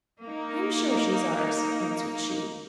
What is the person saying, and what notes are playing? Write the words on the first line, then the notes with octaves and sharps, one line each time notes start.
"I am sure she is ours," answered she.
A#3 D#4